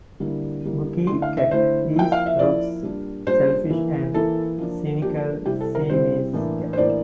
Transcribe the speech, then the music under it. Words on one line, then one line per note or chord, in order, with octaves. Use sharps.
Bucky Katt is Rob's selfish and cynical Siamese Cat.
D3 G3 A#3 E4
D3 G3 A#3 E4
D3 A3 E4 C6
F5
E5
D3 A3 E4 C5
F3 A#3 E4 G5
F5
E5
F3 A#3 E4 D5
A#2 G3 D4
A#2 G3 D4 C5
E3 A#3 E4
E3 A#3 E4 A4
F3 A#3 D4
F3 A#3 D4 G4
A4
C3 G3 C4 E4 G4
A4
A#4
C3 G3 C4 E4 C5
A2 E3 A#3 D4
C5
A2 E3 A#3 D4 D5